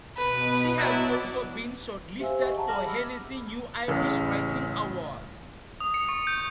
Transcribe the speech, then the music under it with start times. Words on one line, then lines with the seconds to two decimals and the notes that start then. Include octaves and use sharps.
She has also been shortlisted for Hennessy New Irish Writing Award.
0.17 B2 B4
0.78 F#3 E4 D5
2.19 G4 C5 E5 F5 G#5 E6
2.41 D#5 E5 C#6
2.56 G#4 E5 F#5 A5 A#5
2.67 D6 F6 A#6 F#7
2.86 B5 D6 E6
3.88 A1 C#3
5.80 D#6
5.94 C#7
6.09 C#6
6.27 G6